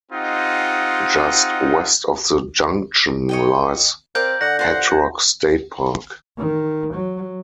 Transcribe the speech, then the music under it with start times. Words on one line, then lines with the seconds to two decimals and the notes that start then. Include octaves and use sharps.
Just west of the junction lies Hat Rock State Park.
0.11 C4 D#4 F4 G4 D#5 F#5
3.29 C#5 D#5 G5
4.15 C4 A#4 D5 F5 G6
4.41 D3 F#5 A#6
4.59 F4 C5 F#5
6.38 D#3
6.95 F#3